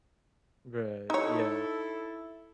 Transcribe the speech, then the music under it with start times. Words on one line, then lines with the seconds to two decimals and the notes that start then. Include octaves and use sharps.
Right, yeah.
1.10 D#4 E4 A4 C#5